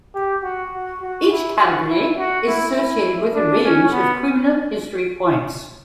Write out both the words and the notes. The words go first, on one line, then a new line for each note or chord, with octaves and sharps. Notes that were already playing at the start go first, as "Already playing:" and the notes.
Each category is associated with a range of criminal history points.
G4
F#4
F#4
F#4
E4
F#4
E4
F#4
E4
E4
D4
C#4
B3